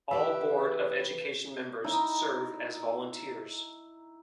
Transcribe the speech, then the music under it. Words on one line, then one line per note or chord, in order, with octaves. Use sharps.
All Board of Education Members serve as volunteers.
E3 G4 B4 E5
D#4 E4 A#5